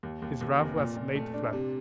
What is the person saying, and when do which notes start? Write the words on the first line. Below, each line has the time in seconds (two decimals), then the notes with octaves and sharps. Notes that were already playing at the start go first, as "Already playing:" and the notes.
His ruff was laid flat.
0.03 D#2
0.22 D#2
0.41 D#2
0.59 F1
0.77 A#2
0.96 A#2
1.15 A3
1.34 D4
1.53 C3